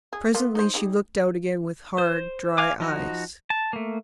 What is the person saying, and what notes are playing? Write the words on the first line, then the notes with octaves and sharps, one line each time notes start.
Presently she looked out again with hard, dry eyes.
G#4
A#3 B3 F4
D#4 C5
G3 D#4 G#4
C5
F5 G#5 D6
F3 D#4 F#4
A5
A3 A#3